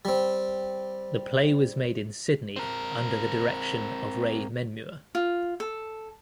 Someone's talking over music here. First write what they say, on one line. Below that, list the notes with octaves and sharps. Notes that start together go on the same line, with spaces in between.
The play was made in Sydney under the direction of Ray Menmuir.
G3 C4
C4 A#4
F4
A4